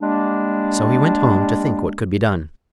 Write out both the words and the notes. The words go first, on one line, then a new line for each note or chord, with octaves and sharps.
So he went home to think what could be done.
G3 G#3 A#3 D4